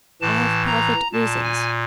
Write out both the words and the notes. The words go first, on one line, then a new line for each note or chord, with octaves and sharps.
"I have private reasons."
A2 E3 A5
A#5
A#2 A5
G#5